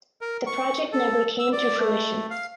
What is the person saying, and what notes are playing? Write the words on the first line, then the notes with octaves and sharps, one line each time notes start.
The project never came to fruition.
A#4
C#6
A4
E6
D5
A3
F5